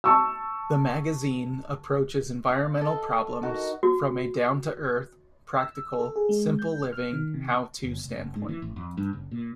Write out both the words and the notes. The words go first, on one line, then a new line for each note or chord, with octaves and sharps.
The magazine approaches environmental problems from a down-to-earth, practical, simple living, how-to standpoint.
A5 C#6 E6
F5
A4 D#5
D#4 F#4 A#4
F#4
E6
A4
G#4
G#3
G6
F6
D#3
C3
G1
F1
F#1
G#2
E3
A1
F2
G2
F#1
A#2